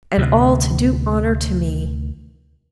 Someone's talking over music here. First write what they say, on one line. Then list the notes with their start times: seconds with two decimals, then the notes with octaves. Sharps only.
And all to do honour to me!'
0.17 D2 C3